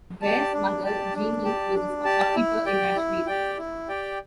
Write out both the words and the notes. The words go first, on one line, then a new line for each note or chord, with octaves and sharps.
Bare's mother, Jeannie, was a shopkeeper in Nashville.
G4 D5 A5
D4
G4 D5 A5
D4
G4 D5 A5
D4
G4 D5 A5
E4
G4 D5 G5
E4
G4 D5 G5
E4
G4 D5 G5